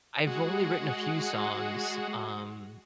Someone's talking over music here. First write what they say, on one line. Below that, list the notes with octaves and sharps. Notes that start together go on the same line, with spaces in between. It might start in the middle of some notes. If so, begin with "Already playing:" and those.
I've only written a few songs. Um,
G#3 F#4